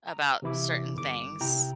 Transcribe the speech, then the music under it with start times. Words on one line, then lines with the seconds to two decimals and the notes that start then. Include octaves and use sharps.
about certain things,
0.07 A#5
0.42 C3 E3 E4 D6
0.95 G1 D6
1.41 C3 E4 G5 A#5